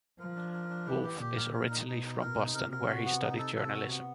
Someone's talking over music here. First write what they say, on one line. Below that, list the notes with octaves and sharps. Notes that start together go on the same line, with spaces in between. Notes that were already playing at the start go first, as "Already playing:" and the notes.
Wolf is originally from Boston where he studied journalism.
F3 A#4
D4
A#4
D4
E3 G4
G4
A#2 G4
A#4
A#4
D#4
B2 D#4
D#4
A#4
D#4
C3 A#4
A#4
F#4
B3
D#4
A4
C3 A4
F#4
B3